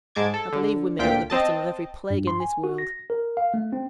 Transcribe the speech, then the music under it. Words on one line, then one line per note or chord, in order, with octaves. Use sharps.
I believe women are at the bottom of every plague in this world.
G#2 G#3 A5 D6 G#6
A4
D3
D2 A#2 F4 G5 B6 D7
C4 D#5 A5
G2
C6
G#5
F#4
A#6
A#4
F5
A3
C4